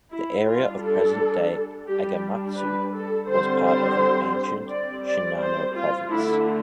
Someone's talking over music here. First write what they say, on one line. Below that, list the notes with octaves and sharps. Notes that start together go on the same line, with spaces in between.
The area of present-day Agematsu was part of ancient Shinano Province.
E4
G3 D4 F4
A4
G3 D4 G4
B4
A4
D3 G3 C4 C5
C5
G3 C4 D5
D5
C5
F4
D3 A3 D4 E4